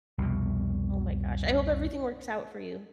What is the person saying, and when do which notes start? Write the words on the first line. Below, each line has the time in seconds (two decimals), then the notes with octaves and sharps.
Oh, my gosh. I hope everything works out for you.
0.18 C2 F2 B2